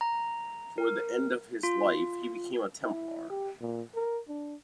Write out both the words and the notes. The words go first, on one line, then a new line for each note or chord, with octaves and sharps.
Toward the end of his life he became a Templar.
A#5
A#4
F4
E4
G4
A#2
A#4
D4